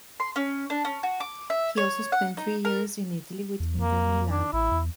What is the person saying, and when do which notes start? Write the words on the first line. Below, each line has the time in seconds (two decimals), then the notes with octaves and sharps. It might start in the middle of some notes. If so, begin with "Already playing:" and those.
He also spent three years in Italy with Inter Milan.
0.20 C6
0.36 C#4
0.70 D4
0.85 C#4
1.03 F#4
1.20 D6
1.50 E5
1.78 C#5
2.12 F#5
2.37 D#4
2.65 A#4
3.60 E2
3.79 F2 A#3
4.31 D4
4.53 A1 E4
4.71 E2